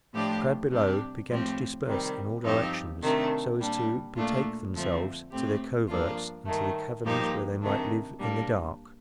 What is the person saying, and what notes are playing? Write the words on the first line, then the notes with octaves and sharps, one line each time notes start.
The crowd below began to disperse in all directions, so as to betake themselves to their coverts and to the caverns, where they might live in the dark.
A2 F3 A3 D4 G4
C3 G3 D4 G4
A2 F3 C4 G4
C3 D#3 G3 C4
G2 F3 C4 D#4 G4
C3 D#3 A3 D4
A#2 G3 D4
A#2 A3 D4 F4
F2 D3 F3 A3 C4
A2 A3 C4 G4
G2 F3 A#3 D4 F4
G2 D#3 A3
G2 F3 A#3 D#4 G4
C3 D#3 A3 D4
A#2 G3 A#3 D4